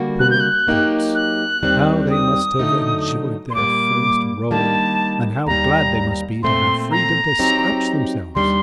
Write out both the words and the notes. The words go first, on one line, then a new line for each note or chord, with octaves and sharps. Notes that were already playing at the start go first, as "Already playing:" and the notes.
Poor brutes, how they must have enjoyed their first roll, and how glad they must be to have freedom to scratch themselves!
Already playing: D3 G3 A#3 F#4
F#6
G6
F#6
F#3 A#3 D#4 G4
F#6
D#2 D#3 G3 C4
D#6
D3 F#3 A3 D#4
C6
A#2 G3 A#3 D6
D#3 G3 A#3 D4 A5
D#2 D#3 G3 A#5
A#2 A3 C4 C6
A#5
F#3 C4 D#4 G4
D#2 D#3 G3 D4 C6